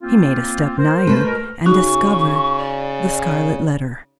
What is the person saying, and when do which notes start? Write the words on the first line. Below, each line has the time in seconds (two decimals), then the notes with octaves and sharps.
He made a step nigher, and discovered the scarlet letter.
0.01 A#3 C4 F4
0.77 A#4 C5
1.07 A3 B4
1.24 B2 A#4
1.65 C#3 C#4 D#4 F#4 C#6
2.58 D5